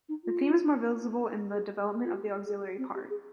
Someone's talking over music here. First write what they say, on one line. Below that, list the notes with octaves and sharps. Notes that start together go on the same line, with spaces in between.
This theme is more visible in the development of the auxiliary part.
D#4
F4
G#4
G#4
F4
G4
G#4
G4
C4
G4
G#4